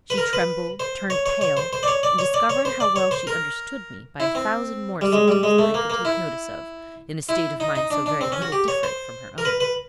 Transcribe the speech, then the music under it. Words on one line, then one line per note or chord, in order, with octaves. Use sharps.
She trembled, turned pale, and discovered how well she understood me, by a thousand more symptoms than I could take notice of, in a state of mind so very little different from her own.
B4
A#4
B4
C5
C#5
C#5
C#5
C5
C5
D5
C#5
D5
C#5
D5
C#5
C5
D5
C#5
C5
A#4
E4
C4
G3
G#3
G3
G#3
A3
A#3
A#3
E4
E4
D#4
D#4
D4
D4
C4
C#4
F#4
G4
C#5
C5
A#4
B4
B4